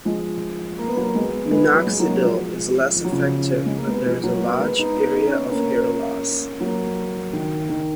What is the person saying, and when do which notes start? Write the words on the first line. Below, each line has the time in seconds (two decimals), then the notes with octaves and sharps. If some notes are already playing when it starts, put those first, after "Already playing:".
Minoxidil is less effective when there is a large area of hair loss.
0.05 F3 G#3
0.78 A#3
0.88 B3
0.97 F#3 A#3
1.15 G#3 B3
1.51 G#3 B3
1.74 F#3
1.87 G#3
1.99 F#3 A#3
2.14 F#3
2.24 F3 G#3
2.96 F3
3.05 F#3
3.12 C#3 F3
3.66 G#3
3.77 A#3
3.88 G#3 B3
4.06 F3 G#3
4.24 F#3 A#3
4.42 B3
4.51 A#3
4.59 G#3 B3
4.79 B3 D#4
5.15 D#4
5.27 C#4
5.39 B3
5.51 A#3 C#4
6.60 F#3 A#3
7.33 D#3
7.70 D#3